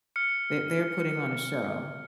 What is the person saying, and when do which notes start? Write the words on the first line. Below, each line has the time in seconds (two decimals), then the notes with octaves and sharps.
They're they're putting on a show.
0.16 F6 C#7